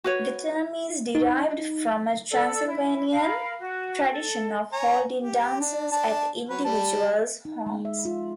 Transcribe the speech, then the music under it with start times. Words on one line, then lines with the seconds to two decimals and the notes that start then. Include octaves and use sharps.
The term is derived from a Transylvanian tradition of holding dances at individual's homes.
0.04 F#4 B4 C#5
1.15 D#4
2.31 A4 D5 E6
2.66 E4
3.11 A#4 F5 B5
3.59 F#4
4.12 A4
4.72 C#5 G#5 A#5
5.19 G4
5.60 D4
5.92 D4 A5
6.49 F#3 B4
6.65 G3 A5
7.45 D#4
7.67 G#3
7.85 E5
8.05 F4